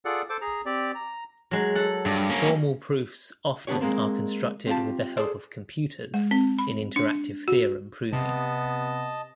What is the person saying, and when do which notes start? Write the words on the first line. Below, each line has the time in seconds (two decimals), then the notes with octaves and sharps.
Formal proofs often are constructed with the help of computers in interactive theorem proving.
0.05 F4 G#4 A4 D5 F#5
0.29 A4 C5 D6
0.41 G#4 A#5
0.65 C4 G4 D5
0.95 A#5
1.51 F#3 G#3
1.75 A4 F#5
2.06 G2
2.30 A#3 C#4
3.67 D3 B3 C4 D4 G4 C#5
3.81 G#3 A#3 C4
4.67 C4 F4 G4 A5
5.17 G#4 A4 C5 D5
6.14 G#3
6.31 C4
6.59 B5
6.96 D4
7.48 F#4
8.13 C3 B3 D#5 A5